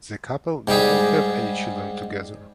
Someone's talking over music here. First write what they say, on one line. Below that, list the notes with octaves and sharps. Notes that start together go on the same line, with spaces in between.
The couple did not have any children together.
G#2 G3 G4 G#4